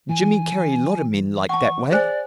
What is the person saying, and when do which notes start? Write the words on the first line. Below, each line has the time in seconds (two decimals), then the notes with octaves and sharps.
"Jimmy carry lot o' men like that way!"
0.09 E3 G#5
1.49 F#5 A5 C#6
1.91 G#4 C5 D5 G#5